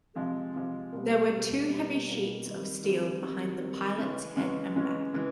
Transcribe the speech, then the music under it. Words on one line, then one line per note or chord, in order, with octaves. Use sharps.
There were two heavy sheets of steel behind the pilot's head and back.
C3 F3 G#3
C3 F3 G#3
B2 G3 A#3
B2 G3 A#3
B2 G3 A#3
B2 G3 A#3
D#3 G3 C4
D#3 G3 C4
D#3 G3 C4
D#3 G3 C4
C#3 E3 G#3 C#4
C#3 E3 G#3 C#4
C#3 E3 G#3 C#4
C#3 E3 G#3